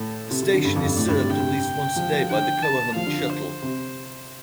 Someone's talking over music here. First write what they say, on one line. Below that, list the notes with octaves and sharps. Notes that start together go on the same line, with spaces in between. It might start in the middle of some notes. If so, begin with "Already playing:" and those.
The station is served at least once a day by the Koaham Shuttle.
Already playing: A2 A4
C3
C3
D3
G2 A4
F2
G2
A2 D5
G2
C3
D3 G5
C3
F3
F3
D3 G5
A5
F3 F5
D3
D3
C5
C3